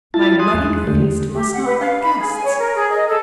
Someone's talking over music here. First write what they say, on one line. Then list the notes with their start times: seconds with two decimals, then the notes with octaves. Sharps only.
My wedding feast must not lack guests.
0.14 E4 F4 A5 A6
0.39 G#5 C6 D#6 F#6
0.54 E2 G#3
0.87 D3 A3 G4
1.34 G4
1.51 F#5
1.66 B4
1.80 F5
2.02 B5
2.19 G#4
2.32 G#5
2.45 C#5
2.58 A#4
2.74 G#4
2.90 D#5
3.08 A4